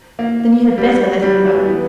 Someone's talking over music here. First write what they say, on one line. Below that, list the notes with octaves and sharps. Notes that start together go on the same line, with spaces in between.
"Then you had better let him go."
A#3
G3
G3
F#3
E3
F#3
B3